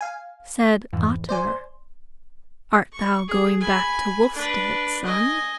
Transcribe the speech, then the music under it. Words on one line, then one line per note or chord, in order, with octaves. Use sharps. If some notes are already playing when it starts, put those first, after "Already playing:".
Said Otter, "Art thou going back to Wolfstead, son?"
F5 G#5
F2 G#2 E3
C5 D5 G#5 C6
C#6
G#4
G#5 B5
D4 B4
D#5 G#5